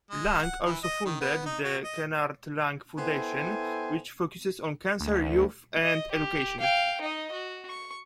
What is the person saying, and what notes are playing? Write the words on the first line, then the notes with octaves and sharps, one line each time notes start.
Lang also founded the Kenard Lang Foundation, which focuses on cancer, youth, and education.
G#3
F#5
E3
D#5
D#3
B3
D#4
F#4
D#5
B3 E4 A4 C5 G5 G#5
D2
D#5
G4
F5 G5
D#4 D#5
F#4
C#6